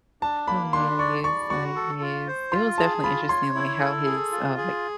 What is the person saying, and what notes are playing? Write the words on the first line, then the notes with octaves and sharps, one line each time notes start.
hilarious, like, yes, it was definitely interesting, like, how his, uh, like
D4 A5
A#3 B5
D4 C6
D5 C#6
D5 C#6
F#4 C#6
A4
F4
C5
F4 C6
G#4 A5
F4 B5
C#5 C6
E4
A4
G#4
F4
G#4